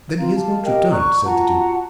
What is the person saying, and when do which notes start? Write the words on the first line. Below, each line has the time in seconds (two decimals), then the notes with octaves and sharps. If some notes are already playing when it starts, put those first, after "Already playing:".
"Then he has not returned?" said the duke.
0.18 C4 F4 F5 A#5
0.35 G4 A5
0.64 G4 A#4 D#5 G5
0.91 D5 A#5 C#6 F#6
1.24 F4 F#4 F#5 A5 A#5